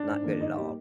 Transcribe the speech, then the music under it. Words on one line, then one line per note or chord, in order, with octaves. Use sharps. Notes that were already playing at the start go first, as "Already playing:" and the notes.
not good at all.
Already playing: D4
G#2
D#3 A#3
G#2 D#4
G3 A#3 G4